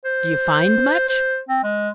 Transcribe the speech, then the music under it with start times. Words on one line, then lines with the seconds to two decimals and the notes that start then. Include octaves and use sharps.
"Do you find much?"
0.05 C5
1.09 C5
1.49 C4
1.64 G#3